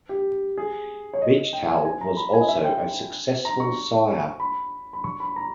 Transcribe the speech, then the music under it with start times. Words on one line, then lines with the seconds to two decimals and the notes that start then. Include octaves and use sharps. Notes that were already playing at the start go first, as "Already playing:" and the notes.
Beach Towel was also a successful sire.
0.09 G4
0.58 G#4
1.13 C#5
1.22 D#5
1.53 G5
1.69 G#5
1.85 G#5
2.01 A#5
2.17 B5
2.33 G#5
2.41 D#5
2.48 E5
2.64 G5
3.45 A#5
3.60 C#6
4.40 B5
4.93 B5
5.04 C#6
5.20 B5
5.36 A#5